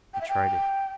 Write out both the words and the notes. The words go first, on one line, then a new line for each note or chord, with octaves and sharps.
I tried it.
G5
E5
G5